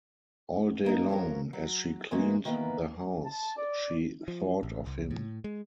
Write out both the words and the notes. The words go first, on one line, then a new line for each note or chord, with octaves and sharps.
All day long, as she cleaned the house, she thought of him.
G3 A#3 B3 D#4
F3 F#3 C#4 A#4
F#3
E3 G#3 A#3 B3 F#4
D#3 E3 A#3 B3
A5
D5
F3
A1
C2
A2
G#3